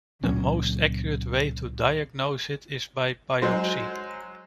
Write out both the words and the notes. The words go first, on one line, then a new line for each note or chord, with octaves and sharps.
The most accurate way to diagnose it is by biopsy.
C#2 A#2 F#3 C#4
F#3 G#3 C5